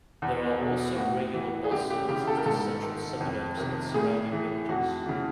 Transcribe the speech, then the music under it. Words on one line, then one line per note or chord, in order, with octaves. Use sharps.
There are also regular bus services to central Sevenoaks and surrounding villages.
E2
B2
A2 F#4
E3
G#4
F#2 G4
G4
C#3 E3 G4
A4
A#4
G#2 A4
D#3
F2
C3 D#3
A2 G#4
E3
F2 F#4
C#3 E3